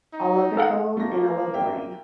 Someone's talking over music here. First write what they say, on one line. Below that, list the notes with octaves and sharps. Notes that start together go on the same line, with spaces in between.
I love the cold, and I love the rain.
D#4
A4 F5 F#5
A3 A#3 A#6
A#4 E5 G5